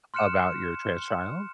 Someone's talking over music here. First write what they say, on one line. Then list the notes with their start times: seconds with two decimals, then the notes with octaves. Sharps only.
about your trans child?
0.14 C6 F6 F#6 C#7 E7